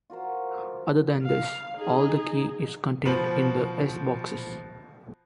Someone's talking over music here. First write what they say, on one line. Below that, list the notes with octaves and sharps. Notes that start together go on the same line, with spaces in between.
Other than this, all the key is contained in the S-boxes.
F4 F#4 A#4 C5
F5
D#4 G#4
B2 F3 B4 C5 F#7